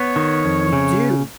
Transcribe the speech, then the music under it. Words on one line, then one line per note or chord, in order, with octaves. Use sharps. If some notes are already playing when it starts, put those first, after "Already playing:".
You do.
Already playing: B3 C#5
D#3
F2
C#3